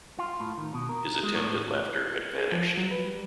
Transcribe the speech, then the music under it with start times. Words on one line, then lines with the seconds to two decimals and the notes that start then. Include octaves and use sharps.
His attempt at laughter had vanished.
0.19 F4
0.40 A2
0.57 D#3
0.74 B2
0.89 A#4
1.23 G#3
1.35 A2
2.38 G#4
2.52 F3
2.78 F#3
2.91 B4
3.05 G3